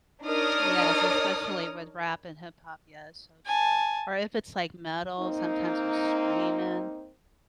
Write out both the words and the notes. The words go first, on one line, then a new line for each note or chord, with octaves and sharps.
Yes, especially with rap and hip hop, yeah, so true. Or if it's, like, metal, sometimes we're screaming
D4 D#4 A#4 C#5 D#6 F6
G#5 A5
A#3 C4 D#4